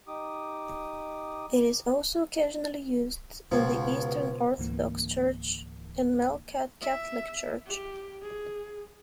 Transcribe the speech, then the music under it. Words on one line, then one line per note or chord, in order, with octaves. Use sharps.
It is also occasionally used in the Eastern Orthodox Church and Melkite Catholic Church.
D#4 G4 D6 D#6
C#2 B2 F3 B3 C5
C#2 G#2 D3 E3 A#3
E5
G4
G#4